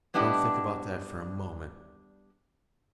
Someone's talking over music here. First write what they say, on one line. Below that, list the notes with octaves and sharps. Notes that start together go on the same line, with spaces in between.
Don't think about that for a moment.
G3 B3 D4 E4 G4 D#5